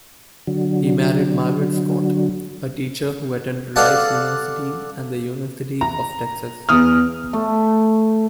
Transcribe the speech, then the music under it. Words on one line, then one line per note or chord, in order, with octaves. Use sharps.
He married Margaret Scott-a teacher who attended Rice University and The University of Texas.
D3 F#3
A4 D5 F5 F#5 A5
A#5
E2 D#6 F6
A3